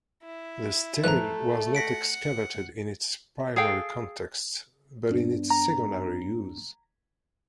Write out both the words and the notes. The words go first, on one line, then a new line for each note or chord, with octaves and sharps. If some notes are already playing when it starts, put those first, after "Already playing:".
The stele was not excavated in its primary context, but in its secondary use.
E4
F2 G#2 E3 A3 A#5 F#6
F#5 A#6 B6 D7
G#4 A4 F5 G5
G2 B3 D4
A#5